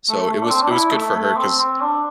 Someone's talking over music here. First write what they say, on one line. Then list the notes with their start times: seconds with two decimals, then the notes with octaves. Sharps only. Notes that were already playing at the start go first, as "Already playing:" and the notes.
So, it was it was good for her 'cause
0.09 A3
0.27 A3
0.43 D4
0.49 C4
0.63 D4
0.71 E4
0.92 A3
1.15 A3
1.37 C4
1.59 C4
1.81 D4